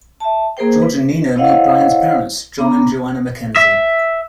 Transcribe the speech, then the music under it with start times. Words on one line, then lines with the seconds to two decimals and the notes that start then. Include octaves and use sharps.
George and Nina meet Bryan's parents, John and Joanna MacKenzie.
0.20 E5 A5
0.57 A#3 G#4 A#4 C5 G5
0.82 B4
1.36 E4 C5 C#5 D#5 F5 F#5
2.58 B3 D4 A#5
3.56 E5